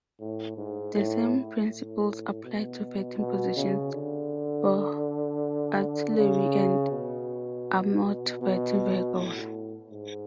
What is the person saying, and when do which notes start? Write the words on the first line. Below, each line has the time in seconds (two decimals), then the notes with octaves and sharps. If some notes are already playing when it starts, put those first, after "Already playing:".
The same principles apply to fighting positions for artillery and armored fighting vehicles.
0.20 A2
0.57 G#2
0.95 A2
1.69 A2
2.44 B2
3.19 B2
3.56 C#3
3.93 D3
6.17 C#3
6.91 B2
8.41 B2
9.15 A2
9.91 G#2